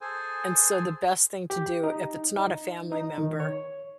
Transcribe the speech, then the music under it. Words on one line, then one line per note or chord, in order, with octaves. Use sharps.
And so the best thing to do if it's not a family member
G#4 A4 C5 G#5
G4
D#4
D#4
D#4
D#3
C#5